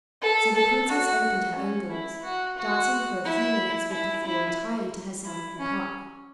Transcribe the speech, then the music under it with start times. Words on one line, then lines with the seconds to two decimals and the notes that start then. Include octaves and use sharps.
So the princess opened her own balls, dancing for a few minutes with the floor entirely to herself and partner.
0.21 A4
0.55 A4
0.88 F#4
1.56 C#4
1.90 E4
2.23 F#4
2.57 F#4
3.24 E4
3.90 E4
4.25 E4
5.25 E4
5.58 C#4